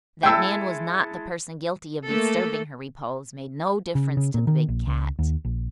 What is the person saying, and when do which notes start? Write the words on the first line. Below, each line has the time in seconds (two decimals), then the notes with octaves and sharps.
That Nan was not the person guilty of disturbing her repose made no difference to the big cat.
0.23 G#3 E4 A4 G5 E6
2.06 A3 A#3 A4
3.95 C#3
4.17 C#3
4.34 A#2
4.47 D#3
4.69 A#1
4.87 C#2
5.19 D#2
5.45 A#1